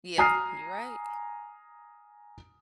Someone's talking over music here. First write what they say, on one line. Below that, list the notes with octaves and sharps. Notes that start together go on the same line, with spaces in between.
Yeah. You're right.
G#5 A#5 D#6 F6 C7